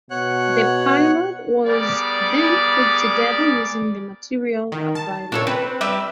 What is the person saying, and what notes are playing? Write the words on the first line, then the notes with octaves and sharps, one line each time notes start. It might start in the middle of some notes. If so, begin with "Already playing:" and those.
The pilot was then put together using the material available.
B2 C#5 F#5 F#6
G3 B3 G#4 A#4 D5
D#3
A5
A#2 D4 A4 C#5
C4 B4
G3 G4 B4 E5